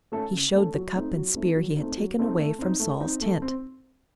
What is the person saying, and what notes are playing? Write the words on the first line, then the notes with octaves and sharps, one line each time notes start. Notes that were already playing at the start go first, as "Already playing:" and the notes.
He showed the cup and spear he had taken away from Saul's tent.
A3 C#4 A4
C#3
A3 C#4 A4
F#3
A3 C4 D#4
F#3
A3 C4 D#4
F#3
A3 C4 D#4
F#3
A3 C4 D#4
A3
C4 D#4
A3
C4 D#4
A3
C4